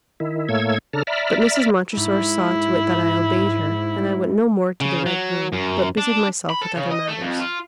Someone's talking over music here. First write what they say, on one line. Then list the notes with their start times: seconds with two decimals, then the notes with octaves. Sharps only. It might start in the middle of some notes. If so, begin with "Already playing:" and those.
But Mrs. Montressor saw to it that I obeyed her, and I went no more to the Red Room, but busied myself with other matters.
0.20 D#3 E4
0.49 A2 A3 A#3 C#5 E6 G#6
0.93 C#3 D4 A4 A#5 F6
1.07 D5 E5 A#5 B5 F6
1.97 G#2 E4
4.81 C#3
5.06 F#3
5.53 F#2
5.97 D4
6.50 B5
6.62 A4
6.77 C#3
6.91 D#5
7.08 A3
7.22 F2
7.40 F4